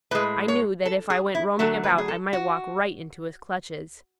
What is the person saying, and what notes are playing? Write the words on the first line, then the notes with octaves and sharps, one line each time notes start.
I knew that if I went roaming about I might walk right into his clutches.
A2 G#3 B4
C#5
A4
G#4
E4
D3 F#3 A3 A4
B4
G#4
A4
F#4